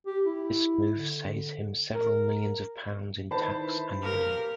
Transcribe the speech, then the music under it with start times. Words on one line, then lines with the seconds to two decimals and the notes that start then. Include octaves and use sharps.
This move saves him several millions of pounds in tax annually.
0.06 G4
0.26 E4
0.92 D3
1.95 A#4
3.31 D#3 E4 B4 C5 A5 B5
4.03 G4 A#4 F5